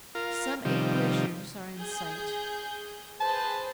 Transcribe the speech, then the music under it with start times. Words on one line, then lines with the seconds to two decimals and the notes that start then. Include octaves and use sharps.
Some eight glaciers are in sight.
0.15 F4 A#4
0.65 C3 D#3 F3 G3
1.78 G#4 G6
3.20 G#4 B4 C5 A5